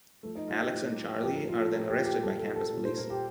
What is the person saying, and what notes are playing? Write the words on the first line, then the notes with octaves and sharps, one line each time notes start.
Alex and Charley are then arrested by campus police.
F3 A3
D#4
F3 F4
G4
A2
A2
F3 G4
A#4
F3 F4
A4
A#2 A#4
G4
A#2
G4
G3 A4
A4
G3
A4
A#2
C5
A#2 A#4
G4